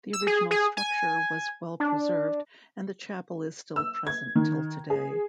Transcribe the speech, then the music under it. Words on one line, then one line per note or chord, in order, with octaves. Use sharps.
The original structure was well preserved and the chapel is still present till today.
E6
G#4
G#4
G#5
D4
E6
G#6
D#3
G#4